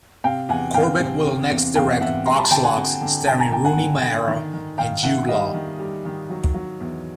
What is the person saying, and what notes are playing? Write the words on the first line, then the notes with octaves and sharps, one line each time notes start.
Corbet will next direct "Vox Lux" starring Rooney Mara and Jude Law.
C3 F5 G5
E2 F#5 G#5
E2 F5 G5
C3
C3
E2
E2 F5 G5
E2 E5 F#5
G3 A#5 C6
A5 B5
D3 G5 A5
F#5 G#5
C4
D3
D3 G5 A5
G#5 A#5
D3 G5 A5
F#5 G#5
D3
D3
D#3
D#3
D#3 F5 G5
D#3 E5 F#5
G3 D#5 F5
D#3
G3
D#3
F#3
F#3
E2